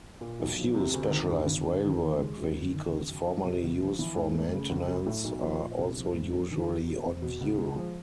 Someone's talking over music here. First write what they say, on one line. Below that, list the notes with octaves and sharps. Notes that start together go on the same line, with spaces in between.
A few specialized railwork vehicles formerly used for maintenance are also usually on view.
A#2
B1
F3
C3
D2
D#3
G2
G#1
D3
D#3
D#2
G#3
F#2
G1
D#3
C#3
F#2
F3
C3
C#2
F3
E3
G#2
A3
C#3
C#2
F#3
A2
B1
F3
A#2
C2
F3
G#2
A#1
D#3
G3
B2
C4
B2
C#2
G#3
F3